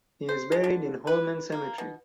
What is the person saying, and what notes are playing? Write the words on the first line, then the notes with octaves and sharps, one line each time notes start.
He is buried in Holmen Cemetery.
C5
G#3
D3
B4
A#3
B2